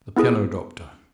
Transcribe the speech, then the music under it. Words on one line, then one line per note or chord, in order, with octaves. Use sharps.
The "Piano Doctor."
B3 E4 G#4